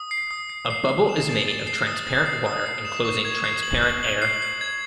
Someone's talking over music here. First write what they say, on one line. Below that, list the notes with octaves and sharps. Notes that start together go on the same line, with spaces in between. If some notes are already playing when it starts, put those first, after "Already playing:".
A bubble is made of transparent water enclosing transparent air.
Already playing: D#6
C7
D#6
C7
C7
C7
E7
A6
A6
C7
D#6
A6
C7
D#6
C7
E7
C#6
G#6
C7
F#7
F#7
F#7
C7
C7
G#6